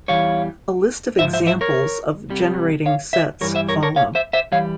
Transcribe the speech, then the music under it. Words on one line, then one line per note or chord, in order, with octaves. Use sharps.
A list of examples of generating sets follow.
E2 C3 E3 G3 C#5 F5
G#2 F3 C5 E5
C5 E5
C5 E5
A#4 C#5
C2 C3 G3
C#5 F5
C5 E5
G2 E3 G3 A#4 C#5
C5 E5
A#4 C#5
A#4 C#5
C#5 F5
C5 E5
C5 E5
E3 G3 C#5 F5